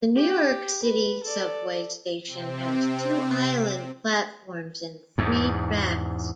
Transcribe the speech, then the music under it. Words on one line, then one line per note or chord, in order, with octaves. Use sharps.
The New York City Subway station has two island platforms and three tracks.
G4
B4
A4 D5
C3 C4
E2 G#2